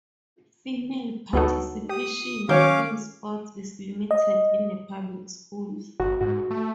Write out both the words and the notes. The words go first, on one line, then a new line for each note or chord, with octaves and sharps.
Female participation in sports is limited in the public schools.
D2 B3 D#4 F#4 A4
G4 D#6
D#3 F#3 C#4 C#5 F5 D6 G6
D#5
G1 F#4
G#2 F#4
A3